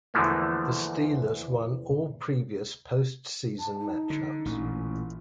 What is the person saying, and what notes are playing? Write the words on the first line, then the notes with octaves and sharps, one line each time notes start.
The Steelers won all previous postseason matchups.
E2 D3 E3 F3 A3 A#3
A5
D#4
D3
A1 A#2